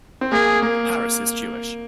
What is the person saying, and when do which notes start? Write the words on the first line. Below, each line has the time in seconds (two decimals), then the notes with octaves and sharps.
Harris is Jewish.
0.21 C4
0.32 A#3 G#4
0.62 A#3